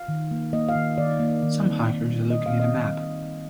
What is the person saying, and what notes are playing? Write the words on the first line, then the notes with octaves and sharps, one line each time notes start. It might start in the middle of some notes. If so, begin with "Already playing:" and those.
Some hikers are looking at a map.
Already playing: F5
D#3
A#3
A#3 D#5
F5
D#3
D#3 D5
A#3
D#3
C4
D#3
G3
D#3 D#5
F5
C4
D#5
D#3